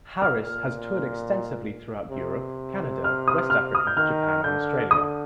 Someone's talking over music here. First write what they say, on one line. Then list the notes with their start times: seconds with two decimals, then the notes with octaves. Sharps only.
Harris has toured extensively throughout Europe, Canada, West Africa, Japan and Australia.
0.22 A#2 F6
2.10 C3
3.04 F6
3.28 D#6
3.50 F6
3.75 D#6
3.87 G6
3.97 D#3 F6
4.44 D3 G6
4.91 D3 D#6